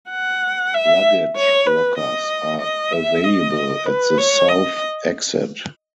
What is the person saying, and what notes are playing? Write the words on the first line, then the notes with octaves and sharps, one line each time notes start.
Luggage lockers are available at the south exit.
F#5
E5
C#5
B4
D#5
D#5
E5
D#5
B4
C#5
D#5